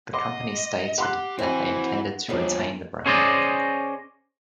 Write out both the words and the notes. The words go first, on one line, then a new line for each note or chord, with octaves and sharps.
The company stated that they intended to retain the brand.
D#5 F#5 C6 D6
G4 F#5 C6 F#6
C4 E4 F#4 G#5
D#2 F3 B3 D4
C#4 G#4 C5 D5 D#5